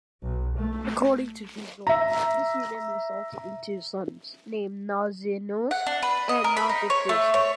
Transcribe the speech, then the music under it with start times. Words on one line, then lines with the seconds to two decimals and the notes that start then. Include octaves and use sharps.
According to Hesiod, this union resulted in two sons, named Nausinous and Nausithous.
0.22 B1
0.57 A3
1.87 E5 A#5
5.71 F#5
5.87 D4
6.03 B4
6.29 D#5
6.44 A#4
6.57 B5
6.69 D#4
6.90 C#5
7.09 A3
7.34 C#5